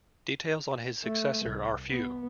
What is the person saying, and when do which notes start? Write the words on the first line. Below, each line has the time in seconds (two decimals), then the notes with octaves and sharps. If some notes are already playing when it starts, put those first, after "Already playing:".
Details on his successor are few.
1.04 A3
1.45 C2
1.90 B3